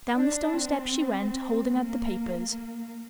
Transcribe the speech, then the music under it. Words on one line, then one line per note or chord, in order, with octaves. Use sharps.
Down the stone steps she went, holding out the papers.
D4
C4
A#3
A#3